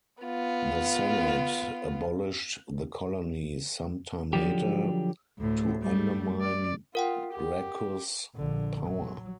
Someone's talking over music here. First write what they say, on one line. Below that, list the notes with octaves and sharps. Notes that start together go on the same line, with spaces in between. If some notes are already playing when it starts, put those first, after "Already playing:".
The Senate abolished the colony some time later, to undermine Gracchus' power.
B3 F4
D3 F3 F#3 G4
D2 A2
G3 A3
D5
F4 A#4 F#5 G5
G4
A#1 D3
F#3